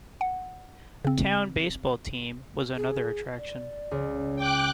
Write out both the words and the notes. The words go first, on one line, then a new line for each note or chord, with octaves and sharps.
A town baseball team was another attraction.
F#5
C#3 C4
G#4
D5
C#2
G5 D6 F#6